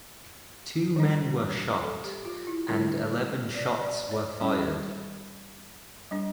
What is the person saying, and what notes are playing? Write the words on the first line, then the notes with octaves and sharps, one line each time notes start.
Two men were shot, and eleven shots were fired.
E3 G3 D4
A4
G4
F4
E4
D3 G3 D4 E4
D5
D5
C#5
G3 C#4
G3 D4